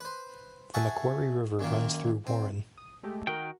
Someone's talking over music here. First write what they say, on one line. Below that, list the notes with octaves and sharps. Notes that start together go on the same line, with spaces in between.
The Macquarie River runs through Warren.
B4 C5
G#4 E5 F#5 A5 C#6
F#2 A#2 D#3 A#3
C4
D#6
G#3 A3 G4
D#3 F#4 A#4 G5